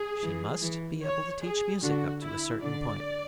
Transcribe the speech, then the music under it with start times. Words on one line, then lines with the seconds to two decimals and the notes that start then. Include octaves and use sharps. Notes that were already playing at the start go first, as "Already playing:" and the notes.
She must be able to teach music up to a certain point.
Already playing: G#4
0.23 E3
0.62 E3
1.03 C#5
1.43 G#4
1.83 D3 F#4
2.23 E4
2.63 D3 D5